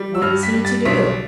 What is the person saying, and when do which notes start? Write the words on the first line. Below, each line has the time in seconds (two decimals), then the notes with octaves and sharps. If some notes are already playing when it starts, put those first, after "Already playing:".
What is he to do?
Already playing: G3
0.15 E6
0.22 G2 F6
0.43 B6
0.54 G3
0.65 A6
0.85 B1 B6